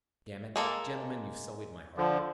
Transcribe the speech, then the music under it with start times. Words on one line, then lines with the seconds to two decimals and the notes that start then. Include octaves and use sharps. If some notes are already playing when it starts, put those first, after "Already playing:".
Damn it!... Gentlemen, you've sullied my heart!
0.56 G#3 A#3 A4
1.97 D3 F3